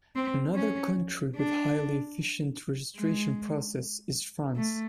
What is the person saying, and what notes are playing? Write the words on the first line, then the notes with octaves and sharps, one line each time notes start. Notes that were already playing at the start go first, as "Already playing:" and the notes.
Another country with a highly efficient registration process is France.
C4
C#4
D4
G#3
A3